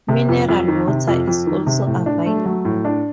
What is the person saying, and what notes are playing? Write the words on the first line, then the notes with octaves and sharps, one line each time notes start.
Mineral water is also available.
C3
F2
F2
D#3
C3
F2
F2
D#3
C3
A2
D4
A3
F#3
A2
D4